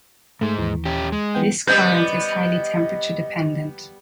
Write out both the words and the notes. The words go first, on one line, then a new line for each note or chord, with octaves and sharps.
This current is highly temperature dependent.
G#2 G#3 A3
D#2 E3
C#4 G4
G#3
E3 B3 G5
G3 B3 B4 D#5 G6